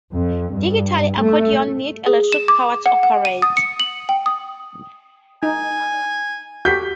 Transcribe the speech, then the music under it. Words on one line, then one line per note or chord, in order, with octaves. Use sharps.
Digital accordions need electric power to operate.
F2
G2
A3
G#4
E7
D6
F#5
F#5
D#7
D#6
C#7
F#7
G5
D#6
D#4 G#5
F#4 G4 G6 B6